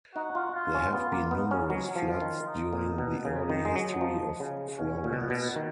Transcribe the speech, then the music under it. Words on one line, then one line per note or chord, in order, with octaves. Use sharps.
There have been numerous floods during the early history of Florence.
D#4 F#4
F4
F4
C#4
B3 F4
A#3
B3 D#4
C#4
F#3 C#4
F3
F4
D#3
D#4
A#2
B2
C#3 D#4
D#3
G#3
F#3
F3
C#3
B2 C#4
A#2
B2
A#2 B3
B2
D#3